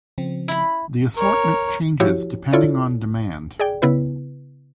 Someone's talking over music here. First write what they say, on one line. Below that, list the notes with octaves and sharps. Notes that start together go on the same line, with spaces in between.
The assortment changes depending on demand.
C#3 F3 C4
E4 B5
A#4 C#5
F3 E4 F#4 G4 C#5
E4 F4 A4 C#5 D5
G#4 D5 G5
C#3 B3 E4 B4